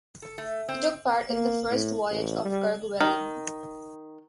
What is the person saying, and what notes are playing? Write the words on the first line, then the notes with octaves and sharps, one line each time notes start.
He took part in the First voyage of Kerguelen.
A4
A3
C4
A#3
A2
A1
G3
D#3